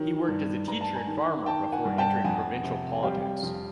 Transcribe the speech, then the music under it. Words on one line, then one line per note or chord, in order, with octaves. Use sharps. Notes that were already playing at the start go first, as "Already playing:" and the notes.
He worked as a teacher and farmer before entering provincial politics.
Already playing: D#3 F#3
G2
G2 A#5
A5
G#5 A#5
D#3
D#3 G5 A5
F#5 G#5
G2
G5 A5
F2 F#5 G#5
C3
G#5
G3 F5 G5
F2